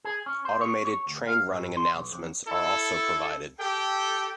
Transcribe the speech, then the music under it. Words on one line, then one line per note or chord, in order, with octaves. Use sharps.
Automated train running announcements are also provided.
G#4
C#4
C5
C#5
C#5
D2
F5
G2
C6
B1
F2
E4 A4
G4 A4 G5